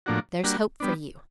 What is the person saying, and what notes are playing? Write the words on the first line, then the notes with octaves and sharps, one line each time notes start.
There's hope for you.
A2 F3 A#3 D4 F#4
G3 A#3 D4 F#4
G3 B3 D4